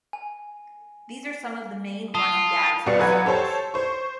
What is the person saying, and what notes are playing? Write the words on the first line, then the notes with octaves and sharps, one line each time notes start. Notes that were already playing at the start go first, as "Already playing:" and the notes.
These are some of the main running gags of the series.
G#5
F4 A5 D#6 G7
C2 B2 D5 F5 C#6 C#7
A1 F#3 B4 F#5 G#5 G#6
G4 A4 C5 C#5 A5
C5 C#6